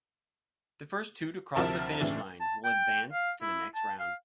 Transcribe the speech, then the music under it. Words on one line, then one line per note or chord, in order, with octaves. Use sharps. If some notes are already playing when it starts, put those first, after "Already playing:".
The first two to cross the finish line will advance to the next round.
D2 C3 F3 E4 A#4 A5
A2 C#3 E3 C4 D4
A5
G5
F5
E4
A5
F5